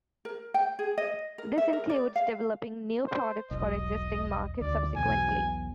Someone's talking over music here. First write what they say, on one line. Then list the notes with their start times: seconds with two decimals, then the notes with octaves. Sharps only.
This includes developing new products for existing markets, subsequently.
0.25 A#4
0.54 G5
0.79 G#4
0.98 D#5
1.38 A#4
1.58 E5
1.73 A#4
1.90 D5
2.16 F5
3.07 C5
3.51 E1 B1 D#5
4.61 D2 D5
4.96 B1 E2 B2 G#5